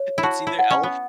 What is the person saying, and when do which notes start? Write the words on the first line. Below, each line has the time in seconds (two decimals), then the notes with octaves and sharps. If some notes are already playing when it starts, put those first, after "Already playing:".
It's either Elf
Already playing: C#5
0.18 E4
0.23 F#4 A5
0.47 E4
0.59 F#5
0.70 C#4
0.83 B3